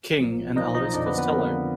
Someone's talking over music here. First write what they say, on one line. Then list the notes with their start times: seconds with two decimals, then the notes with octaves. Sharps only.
King, and Elvis Costello.
0.20 B1 A#2 F3
0.56 B1 A#2 F3 D#4 D#5
0.75 D#4 D#5
0.94 F2 D3 F3 D4 D5
1.06 B3 B4
1.18 B3 B4
1.30 F2 D3 F3 A#3 A#4